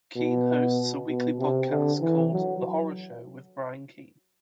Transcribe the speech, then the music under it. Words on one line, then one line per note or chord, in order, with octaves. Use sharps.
Keene hosts a weekly podcast called "The Horror Show With Brian Keene".
B2
B2
C3
D3
E3
F#3